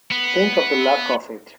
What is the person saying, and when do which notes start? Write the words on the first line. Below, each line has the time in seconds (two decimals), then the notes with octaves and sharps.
Think of the luck of it.
0.12 B3